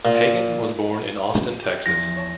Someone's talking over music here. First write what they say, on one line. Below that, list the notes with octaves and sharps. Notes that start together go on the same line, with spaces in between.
Hagan was born in Austin, Texas.
A#2
G4
E2 F3 A#6 D7
C#5 A5